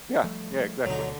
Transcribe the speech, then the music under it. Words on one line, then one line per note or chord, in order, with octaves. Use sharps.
Yeah. Yeah, exactly.
F3 G3 A3
D2 B2 D3 F#3 D#4